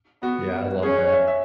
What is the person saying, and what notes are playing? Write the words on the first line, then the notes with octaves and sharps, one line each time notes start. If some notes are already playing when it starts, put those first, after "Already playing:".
Yeah, I love that.
B3 F#4
C#4 G#4
C#5
E5
E5